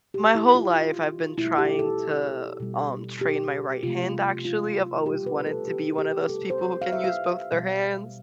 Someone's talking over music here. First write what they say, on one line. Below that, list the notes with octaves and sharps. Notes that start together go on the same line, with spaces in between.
I my whole life, I've been trying to, um, train my right hand, actually, I've always wanted to be one of those people who can use both their hands.
B2 G3 G4
E4
F4
B2 A3 E4
G4
A4
B2 G3
G4
C3 F3 A3 F4
F4
B2 G3 G4
B4
A4
G4
G4
C3 G3 A4
C5
F5
E5
F5
B2 G3